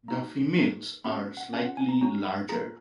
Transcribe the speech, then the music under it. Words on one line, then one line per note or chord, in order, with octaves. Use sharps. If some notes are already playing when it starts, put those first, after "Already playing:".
The females are slightly larger.
A#3 D#4 F#4 A#5
A#3 D#4 G#4
A#3 C#4 F#4 B5
F#5
C#4 F4 G#4 G#5
F#5
G#5
A#5
C#4 F#4 A#5
B5
A#3 F4 G#4 A#5